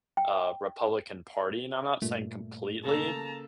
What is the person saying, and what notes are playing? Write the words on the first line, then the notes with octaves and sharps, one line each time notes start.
uh, Republican Party, and I'm not saying completely,
G5
G2 A#2 A3
C#3 A#3 A4 A5 A#5